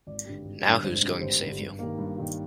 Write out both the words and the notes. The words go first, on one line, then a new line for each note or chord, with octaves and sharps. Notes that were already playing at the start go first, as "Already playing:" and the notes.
Now who is going to save you?
G#1 D5
G2 D3 G3
G#1
G2 D3 G3
G#1 C5
G2 D3 G3
G#1 C5
G2 D3 G3
G2
D#3 G3 A#3
G2
D#3 G3 A#3